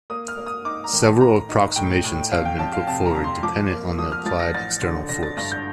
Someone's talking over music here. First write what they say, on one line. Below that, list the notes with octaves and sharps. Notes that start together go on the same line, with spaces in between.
Several approximations have been put forward, dependent on the applied external force.
A#3 D#6
F6
A#3
D#6
D#4 D6
A#5
D#3
A5
A2 A#5
D#4
A2 G5
A2
F2 F5
G5
F2 A5
F5
C3 A5
A#5
F2
C6
F3 D6
A#3
F3 D#6
F6
F3 A6
A#6
A1 A6
D3
D3 A#6
A6
G2 A#6
G6